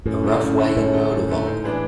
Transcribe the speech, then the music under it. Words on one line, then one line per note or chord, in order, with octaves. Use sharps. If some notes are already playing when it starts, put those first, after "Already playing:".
A rough wagon road evolved.
F#2 A2
D3 A3
F#2
D3 A3
F#2 A2
D3 A3
F#2
D3 A3
G#2
E3 G#3 B3 D4